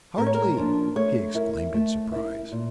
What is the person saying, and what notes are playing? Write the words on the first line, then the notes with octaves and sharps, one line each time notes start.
"Hartly!" he exclaimed, in surprise.
A2 A#4
C#5
A#4
F3 A#3 D4
A3 C#5
E4 A#4 E5
A3
E4 A#4 E5
A#2